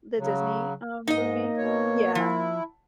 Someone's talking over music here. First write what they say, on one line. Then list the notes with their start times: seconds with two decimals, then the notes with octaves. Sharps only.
The Disney, um, movie. Yeah.
0.18 C#3 F#3
1.08 G#2 A#3 D#4 D#5
1.57 B2 C#5
2.15 F3 E4